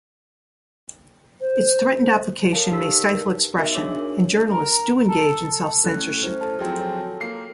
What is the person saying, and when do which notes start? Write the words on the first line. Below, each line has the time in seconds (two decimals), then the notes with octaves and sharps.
Its threatened application may stifle expression and journalists do engage in self-censorship.
1.41 C5
2.53 A4 A#4 C#5 F5 A5
2.70 D#4 G4 A#4 A5 E6 B6
3.13 B4
3.58 B3 D#4 F#4 A#4 D#5 E5
3.75 D4 G#4 C#5 D6
4.51 A#4
5.09 A4
5.84 A2 C#4 A4 F#6
6.23 E4 C5 F6
6.40 A4 A5 F6
6.59 F3 F#3 C4 G#4 G5 G#5
6.76 A4 C#5
7.20 A#3 C7